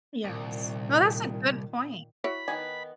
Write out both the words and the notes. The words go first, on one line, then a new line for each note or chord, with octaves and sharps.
Yes. No, that's a good point.
C2 A#2 D#3
E4 F#4 C#5 B5
D#3 B3 G#5